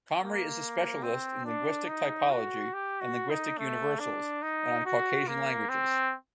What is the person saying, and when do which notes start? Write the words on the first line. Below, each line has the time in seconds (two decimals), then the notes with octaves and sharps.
Comrie is a specialist in linguistic typology and linguistic universals, and on Caucasian languages.
0.18 A#3
1.03 C4
1.45 D4
1.88 D#4
2.31 F#4
2.73 G4
3.01 F#4
3.30 D#4
3.58 A3
3.99 D4
4.42 D#4
4.85 F#4
5.28 A#3
5.69 C4